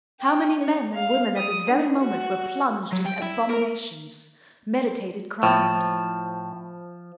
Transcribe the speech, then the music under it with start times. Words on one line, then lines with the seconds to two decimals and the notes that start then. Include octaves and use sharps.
How many men and women at this very moment were plunged in abominations--meditated crimes.
0.21 G5
0.60 C#5
0.93 F5
1.37 D#6
1.69 D4
2.00 F#4
2.92 F#3
3.05 G5
3.22 E4
3.50 A#4
5.43 A2 F3